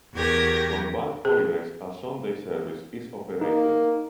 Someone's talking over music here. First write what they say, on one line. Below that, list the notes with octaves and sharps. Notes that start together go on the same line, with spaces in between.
On bank holidays, a Sunday service is operated.
E2 F#4 G4 A#4 G#6 A#6
G#4
A#3 D#4